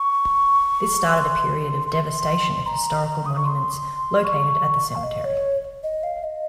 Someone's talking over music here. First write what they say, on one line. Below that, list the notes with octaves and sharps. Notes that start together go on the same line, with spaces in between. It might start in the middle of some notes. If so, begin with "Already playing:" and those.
This started a period of devastation of historical monuments located at the cemetery.
Already playing: C#6
C6
C6
A#5
D#6
C#6
C6
C#6
F5
D#5
C#5
D#5
F5
D#5